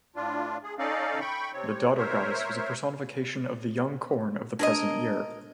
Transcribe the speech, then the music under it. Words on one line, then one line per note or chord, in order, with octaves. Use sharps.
The daughter goddess was a personification of the young corn of the present year.
A2 D4 F4
G#4
C#4 D#4 A4 D5 D#5 F5
G5 B5 C#6
C3 C4 C#5
A#4 C5 C#5 E5
D4 A#4 B4 D#5 A5 G#6